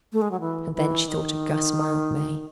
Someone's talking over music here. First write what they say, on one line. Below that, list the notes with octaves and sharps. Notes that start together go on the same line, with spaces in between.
And then she thought of Guss Mildmay.
A3
G#3
F#3
E3
E3
D#3